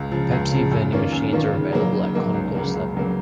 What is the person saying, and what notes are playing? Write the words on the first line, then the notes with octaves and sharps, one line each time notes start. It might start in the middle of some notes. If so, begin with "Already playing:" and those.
Pepsi vending machines are available at concourse level.
Already playing: C#2
C#3 F3
C#2
C#3 F3
F#2
D#3 A#3 C#4 F4
F#2
D#3 A#3 C#4 F4
C#3
F#3 A#3 D#4
C#3
F#3 A#3 D#4
C#2
C#3 F#3 A#3
C#2
C#3 F#3 A#3